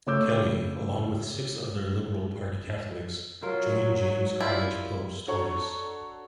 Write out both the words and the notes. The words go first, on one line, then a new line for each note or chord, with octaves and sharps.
Kelly, along with six other Liberal party Catholics, joined James Colledge Pope's Tories.
C#3 A3 C#5 D6 E6 G6
F#3 F4 A#4 C#5
E4 F4 G4 D5
D4 F#4 A4 C#5 A#5 C#6